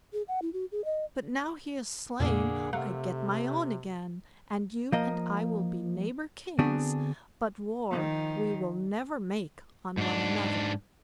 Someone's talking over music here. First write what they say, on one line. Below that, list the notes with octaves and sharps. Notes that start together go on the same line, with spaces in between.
But now he is slain I get my own again, and you and I will be neighbour kings, but war we will never make on one another.'
G#4
F#5
E4
F#4
G#4
D#5
C2 F2 A#2 D3 A#3 G#4
C3 A3 A#4 F5 F#5
F3 A#3 D#5
D3 B3 C4 D4 F#4 G#4
D#3 F3
G#2 D4